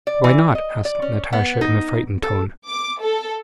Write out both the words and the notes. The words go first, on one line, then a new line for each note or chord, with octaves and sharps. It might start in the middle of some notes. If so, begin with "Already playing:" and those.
"Why not?" asked Natasha in a frightened tone.
D5
E3
D#5
D5
C#4
B3
D#4
A4
D6
A4